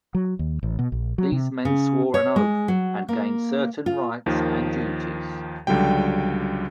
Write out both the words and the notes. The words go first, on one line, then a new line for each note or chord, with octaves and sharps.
These men swore an oath and gained certain rights and duties.
F#3
D#2
A1
B2
A#1
F#3
C3
C#3
C#5
G#3
F#3
A#3
F4
D#2 D#3 F3
C#2 D3 F#3 G3 G5